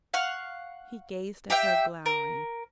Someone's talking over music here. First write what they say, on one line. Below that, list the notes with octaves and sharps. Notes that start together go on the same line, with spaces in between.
He gazed at her, glowering.
F5 F#5 C#6 F6
G4 E5 F5 G5
A#4